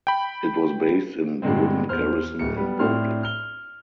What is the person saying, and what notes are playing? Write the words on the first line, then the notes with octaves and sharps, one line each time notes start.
It was based in Boden Garrison in Boden.
G5 B5
G2 A#2 D3 G#3 C4
E2 C5 F6
D1 C#7
G3 B3
A2 C4 D4 C6 F6
F6 G7